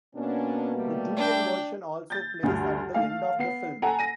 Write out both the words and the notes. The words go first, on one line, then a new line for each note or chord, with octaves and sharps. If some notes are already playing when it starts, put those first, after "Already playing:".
The duet version also plays at the end of the film.
B2 A#3 B3 C#4 D4
G3 A3
D4 G5
G6 A6
D2 G2 F6
A3 F5
B3 C7
A4 F#5 G#5 A#5
A#6 D#7